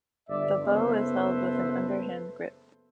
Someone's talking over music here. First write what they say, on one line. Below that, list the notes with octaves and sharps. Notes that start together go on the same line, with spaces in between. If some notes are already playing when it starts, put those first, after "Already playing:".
The bow is held with an underhand grip.
G1 D5 E5
F#1 B3 A4 B4 C5 E5